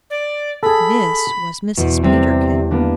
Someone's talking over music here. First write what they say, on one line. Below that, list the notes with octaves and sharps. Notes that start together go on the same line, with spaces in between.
THIS was Mrs. Peterkin.
D5
G#4 A4 B5
E2 B2
C3 G3 C4
A#3 B3 D4